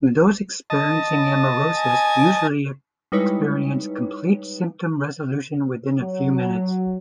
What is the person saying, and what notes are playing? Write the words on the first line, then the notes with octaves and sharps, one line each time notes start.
Those experiencing amaurosis usually experience complete symptom resolution within a few minutes.
D#5 A5
G#5
G3 G#3 D#4 E4 B4 C#5
F#3